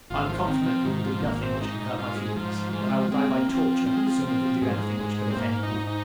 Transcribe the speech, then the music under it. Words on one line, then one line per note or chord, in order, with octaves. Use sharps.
I am confident, you will do nothing which can hurt my feelings; and I will die by torture, sooner than do any thing which could offend you.
G#1 F4
F3
D#3 C4
D#3
F3
G#2 D#3
F3
G#1 A#3
C4
G#2 D#4
D#4
G#2 F4
G#3
G#2 F3
F3 G#3
G#3 C4
A#3
F3 C4
F3
F3 C4
G#3
F3
C4
G#2 G#3
F3
G#3
G#2
C4
G#2 A#3
D#4
G#2
D#4